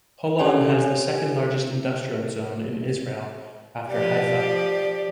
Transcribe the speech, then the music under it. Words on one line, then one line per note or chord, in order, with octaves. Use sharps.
Holon has the second-largest industrial zone in Israel, after Haifa.
C#4 G4 A4 C#5 G#5 F7
F3 G4 D5
D5